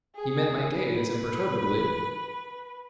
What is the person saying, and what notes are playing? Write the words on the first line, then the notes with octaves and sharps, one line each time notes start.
He met my gaze imperturbably.
G#4
B4